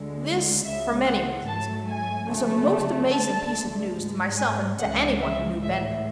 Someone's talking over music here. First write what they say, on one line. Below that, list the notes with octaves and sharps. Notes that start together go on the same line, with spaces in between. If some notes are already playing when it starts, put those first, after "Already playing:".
This, for many reasons, was a most amazing piece of news to myself and to anyone who knew Benda.
Already playing: D2 D3 G#3
C#2 C#3 G#3 E5
F#5
G#2 F#3 A3 A5
G#5
D2 C#3 F#3 A3
D2 D3 A3 A5
G#2 G#3
G#5
C#2 C#3 E3 G#3 F#5
E5
A2 E3 G#3 E5